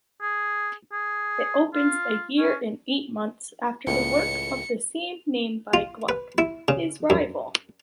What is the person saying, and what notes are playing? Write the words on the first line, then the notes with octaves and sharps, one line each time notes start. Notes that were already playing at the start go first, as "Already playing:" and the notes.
It opens a year and eight months after the work of the same name by Gluck, his rival.
G#4
G#4
F4
C#4
C#2 A2 C#7
F4
B4
E4
C#3
F#2